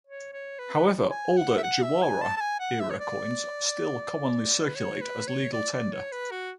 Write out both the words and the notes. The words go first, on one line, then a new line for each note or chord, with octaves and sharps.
However, older Jawara era coins still commonly circulate as legal tender.
C#5
C#5
B4
G#5
F#5
E5
F#5
E5
G#5
A5
A5
G#5
F#5
E5
C#5
D5
B4
C#5
B4
C#5
D5
D5
C#5
B4
F#4